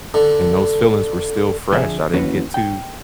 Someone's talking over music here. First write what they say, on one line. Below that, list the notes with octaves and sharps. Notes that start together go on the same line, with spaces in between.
And those feelings were still fresh. I didn't get to
D3
D3 F3 G#4 E5
D#2 E3 C#4 F#4 B4
G5